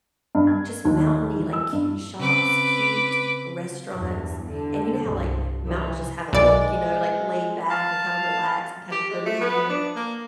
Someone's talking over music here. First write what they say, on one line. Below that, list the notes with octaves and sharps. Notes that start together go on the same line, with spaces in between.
just mountainy, like, cute shops, cute restaurants, and you know how, like, mountains just have a look, you know, like laid back, and kind of relaxed, and kind of cozy, you know
G2
G#6
D#2
E3
E6
G2
C#3 C4 B4 D6
E2 G2
D3
C2 G2
C3 E3
B1 G#3 D5
F5 A5
G4
G#3
A3
B3
D4
A#3